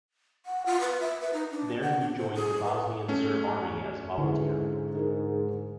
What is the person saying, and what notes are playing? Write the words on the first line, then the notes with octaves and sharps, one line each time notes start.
There he joined the Bosnian Serb Army as a volunteer.
F#5
F4
B4
E5
B4
D#4
D4
F#5
D4
C5
G#4
B4
A3 C#4
G#2 D3 E4 B4 C5
D#4 G#4 A#4